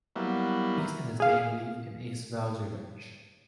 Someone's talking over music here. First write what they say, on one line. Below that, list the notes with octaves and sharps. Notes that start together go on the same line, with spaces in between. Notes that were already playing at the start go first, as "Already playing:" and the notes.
Ace and his gang leave and Ace vows revenge.
F#3 G3 A#3 B3 E4
G#4 F5